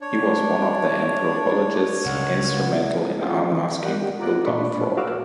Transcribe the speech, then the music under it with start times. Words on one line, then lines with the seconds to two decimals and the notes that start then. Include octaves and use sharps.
He was one of the anthropologists instrumental in unmasking the Piltdown fraud.
0.01 D4 C#5
2.06 C#2 F#5
3.21 C#4 F4 G#4 G5
3.51 E3
3.83 G4 A#4 D5 D#5 F#5
4.19 F4 A#5 D6 F#6
4.46 A#2 D4 D5 B5 C#6
4.97 F#4 F5 D6 E6 F6